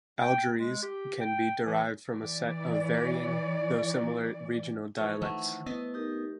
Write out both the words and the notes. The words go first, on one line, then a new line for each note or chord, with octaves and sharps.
Algherese can be derived from a set of varying, though similar regional dialects.
G5
G#3
G4
G5
E3
E3 D5
E3 F3 C#5
D#3 A3 E4 F#5
B3 E4 B4 D#5
D#4 G4 A#4